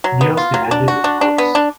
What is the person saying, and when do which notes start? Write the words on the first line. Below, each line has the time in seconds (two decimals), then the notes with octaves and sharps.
Niels demanded a divorce.
0.04 F#3
0.21 B3
0.37 F4
0.54 F#3
0.71 D4
0.88 F#4
1.04 D4
1.21 D4
1.38 B3
1.55 D4